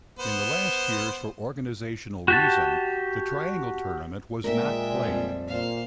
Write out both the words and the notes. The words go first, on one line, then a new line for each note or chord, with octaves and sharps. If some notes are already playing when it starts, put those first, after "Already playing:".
In the last years for organisational reason the triangle-tournament was not played.
B3 C5
F#4 G4 A5
A#2 G#3 A#4 D5 E5 G5
F2 G3
A#2 C5 F5